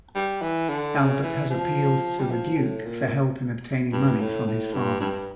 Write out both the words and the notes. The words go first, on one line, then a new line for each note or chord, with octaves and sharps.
Albert has appealed to the Duke for help in obtaining money from his father.
G3
E3
D3
C#3
E3
F3
G3
F3
A2
A#2
G2
A2
A2
G2
G2